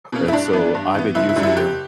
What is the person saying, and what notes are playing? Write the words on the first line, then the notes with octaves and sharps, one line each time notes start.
And so, I’ve been using ’em
B2 A#3 C#4
E4
G2 D4
E3 B3
G2
E3 B3
F#1 E4
E4
F#2 D3 G3
E4
F#1 G4